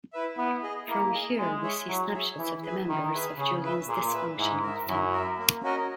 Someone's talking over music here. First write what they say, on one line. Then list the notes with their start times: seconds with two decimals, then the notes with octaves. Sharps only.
From here, we see snapshots of the members of Julien's dysfunctional family.
0.13 E4 B4 E5
0.37 B3 E4
0.63 G#4 D#5
0.88 A#3 E4
1.13 G#4 D#5
1.38 G#3 E4
1.63 G#4 C#5 E5
1.88 F#3 E4
2.13 G#4 C#5 E5
2.38 E3 E4
2.63 G#4 B4 E5 G#5
2.88 D#3 E4
3.13 G#4 B4 E5 G#5
3.37 C#3 G#4
3.63 B4 E5
3.88 A#2 G#4
4.13 B4 E5
4.38 G#2 E4
4.63 A#4 E5
4.88 F#2 E4
5.13 A#4 E5
5.38 A#3
5.63 C#4 F#4 A#4 D#5